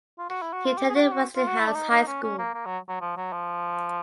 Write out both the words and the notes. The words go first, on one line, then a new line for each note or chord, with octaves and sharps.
He attended Westinghouse High School.
F4
F#4
E4
F#4
F4
G4
G#4
F#4
G4
F#4
F4
F#4
E4
D4
D#4
D#4
C#4
C#4
A#3
A#3
F#3
F#3
F3
F#3
F3